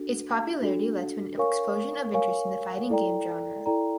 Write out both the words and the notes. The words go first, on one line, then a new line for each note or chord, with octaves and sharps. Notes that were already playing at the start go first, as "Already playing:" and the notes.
Its popularity led to an explosion of interest in the fighting game genre.
Already playing: D4 F#4 A4
D4 F#4 A4
A#4 C#5 F5 G#5 C#6
A#4 C#5 F5 G#5 C#6
E4 A4 D5 G5 A#5
E4 A4 D5 G5 A#5